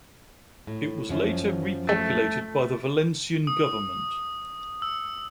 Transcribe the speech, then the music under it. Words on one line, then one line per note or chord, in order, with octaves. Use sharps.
It was later repopulated by the Valencian government.
A2
F#2 F3 C#4
A3
D#6
E6